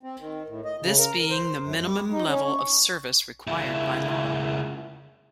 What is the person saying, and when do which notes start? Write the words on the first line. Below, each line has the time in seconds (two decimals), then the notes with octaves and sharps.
This being the minimum level of service required by law.
0.03 C4
0.20 D#3
0.47 A2
0.65 D#5
0.81 C#3
0.98 A#4
1.31 C5
1.63 F#2
1.83 G3
2.11 D#4
2.27 C#4
2.44 C#5
3.47 C#2 E4